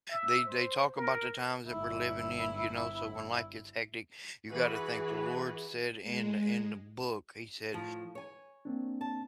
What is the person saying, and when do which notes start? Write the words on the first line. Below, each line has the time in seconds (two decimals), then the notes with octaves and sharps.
They they talk about the times that we're living in, you know, so when life gets hectic, you gotta think the Lord said in in the book, he said
0.10 E5
0.46 C5
0.97 A#4
1.66 G1 E4
4.48 E3 F#4 G#4 B4
6.03 G#3
7.73 A2 F3
8.15 C#5 G#5
8.65 A#3 C4 D4
9.01 A5